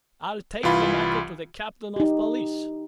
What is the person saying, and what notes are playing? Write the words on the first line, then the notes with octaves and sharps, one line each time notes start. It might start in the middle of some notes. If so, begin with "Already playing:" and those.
I'll take the matter to the captain of police.
C2 E3 F4 B5
D#4 G4